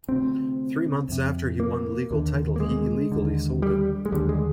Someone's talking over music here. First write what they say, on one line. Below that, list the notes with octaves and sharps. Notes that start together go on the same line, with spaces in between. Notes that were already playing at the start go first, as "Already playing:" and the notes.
Three months after he won legal title, he illegally sold it.
D2 C3 C4
F2 C3
A#3
D#2 D3
A#3
G#3
D#2 D3
G3
G#3
D#2 D3 G3
G#3